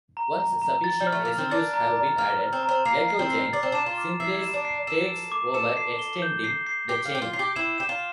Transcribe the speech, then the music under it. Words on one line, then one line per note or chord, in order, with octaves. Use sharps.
Once sufficient residues have been added, glycogen synthase takes over extending the chain.
A#5
A#5
A#5
A6
G3
F6
A3
A#3 F6
C4
D4 A6
A#5
A#5
A#3 F6
F6
C4
A#5
C4
A#3 C7
C7
C4
C7
D4 A6
C4
D4 E7
F4
D6
E4 C7
E7
D4
C7
A4 E7
E7
D6
A4 E7
C7
G7
G6
C7
C7
G4 C7
F4
G4 G7
F4
F4 C7
G4
E4 E7
G4 E7
F4